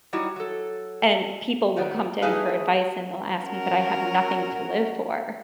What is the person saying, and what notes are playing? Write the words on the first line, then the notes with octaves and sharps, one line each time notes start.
and people will come to him for advice, and they'll ask me, "But I have nothing to live for,"
F#3 G3 D#4 E4 F#4
F#3 A4
A2 D#3 B3 C4
A3 D#4 E4 G#4 B4 F5
C#4 F#4 A#4